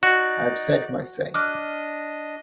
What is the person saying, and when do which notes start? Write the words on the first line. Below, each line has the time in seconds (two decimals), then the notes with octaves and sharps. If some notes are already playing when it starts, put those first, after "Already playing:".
I have said my say.
0.03 D#4 F#4 D5
1.34 D4 D#5 D6 F6 F#6